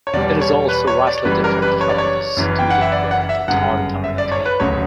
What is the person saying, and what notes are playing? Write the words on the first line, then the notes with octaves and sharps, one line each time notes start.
It is also vastly different from the studio where the talent are located.
C#5
E2 B2 G3 D5
C#5
B4
C#5
D5
F#1 F#2 E3 G3 B4
A#4
B4
C#5
D5
C#5
F#1 F#2 E3
G5
F#5
E5
D5
F#5
E5
G1 F#2 C#3 F#5
E5
D5
C#5
B4
E1 D2 C#3 F#3 C#5